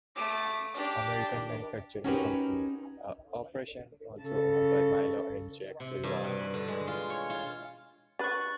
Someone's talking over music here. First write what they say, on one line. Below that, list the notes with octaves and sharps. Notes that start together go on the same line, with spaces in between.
American Manufacturing Company, a operation also owned by Milo and Jacques Revah.
A3 D6
D4 G4
C#4 D#4 F#4 G4 A#4 B4
C#3 A4
C3
G2
B2
B4
D3
G#3
F4
C#5
F4
D4 B4 C#6 F#6 A6